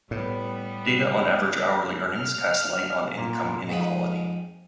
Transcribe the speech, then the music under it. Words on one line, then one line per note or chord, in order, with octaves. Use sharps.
Data on average hourly earnings cast light on income inequality.
A2 G3 B3
F6
A#2
F2 G#2 F4 G#4 B5